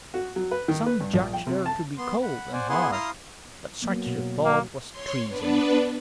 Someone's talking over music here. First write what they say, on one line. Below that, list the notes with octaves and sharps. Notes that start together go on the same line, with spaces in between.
Some judged her to be cold and hard; but such a thought was treason.
F#4
F#3
B4
D#3
B4
G2
A#1
G5
C3
A5
B3 C6
F#5 B5
C5 D5 F#5 G#5
B3 E4 G#4 F#5 G#5 C6
E4 F5 A#5 C6 D#6 F6
F#3 A#3 B3
B2
A#3
C#5 C6
B3 D4 B4